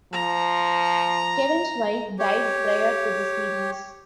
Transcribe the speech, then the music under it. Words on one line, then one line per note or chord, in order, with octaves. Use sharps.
Kevin's wife died prior to the series.
F3 A#5
G4 C#5